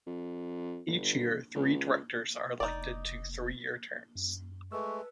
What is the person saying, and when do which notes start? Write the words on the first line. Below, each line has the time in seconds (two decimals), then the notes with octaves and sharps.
Each year, three directors are elected to three-year terms.
0.07 F2
0.87 G1
1.55 C#2
2.60 F1 D#4 D5
4.15 F#2
4.72 G#3 A3 B4 C#6 E6